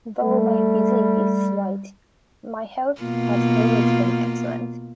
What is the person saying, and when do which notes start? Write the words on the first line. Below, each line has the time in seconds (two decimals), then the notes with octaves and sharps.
Though my physique is slight, my health has always been excellent.
0.23 G3 A3
3.01 B2 A#3 F4